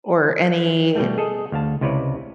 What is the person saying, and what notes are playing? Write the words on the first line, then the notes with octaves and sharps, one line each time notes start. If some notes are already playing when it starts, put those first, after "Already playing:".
or any
B2 G3 A3
G#4 A4 D#5
D2 F5 A5
C#2 C3 E4 B4 C#5 D5